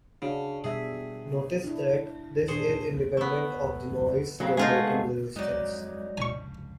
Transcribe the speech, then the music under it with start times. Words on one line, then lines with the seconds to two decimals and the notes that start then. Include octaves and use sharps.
Notice that this is independent of the noise generating resistance.
0.22 C#3 D4 F#4
0.64 B2 G3 G#4 E5
1.64 D4 E4
2.48 A#2 D#3 D4 G#4 C5 C#6
3.17 A3 B3
4.40 C#3 F#3 A#3 C4
4.57 G#3 A3 B3 D#4 F4 G#4
5.36 F2 G#2 F#3 D#4 D5
6.18 F1 C#2 G2 G#5 C#6